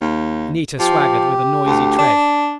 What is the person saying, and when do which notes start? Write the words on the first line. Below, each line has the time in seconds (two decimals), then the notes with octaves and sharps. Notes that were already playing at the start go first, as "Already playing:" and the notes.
Anita swaggered with a noisy tread.
0.01 D#2
0.79 F3 G4
1.66 D2
1.99 D4